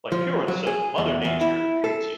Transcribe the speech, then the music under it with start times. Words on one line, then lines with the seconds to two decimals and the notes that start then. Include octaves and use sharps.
like pure and simple. Mother Nature hates you.
0.12 F3
0.48 F#3
0.67 G#4
0.98 E2
1.25 E2
1.41 E4
1.84 A4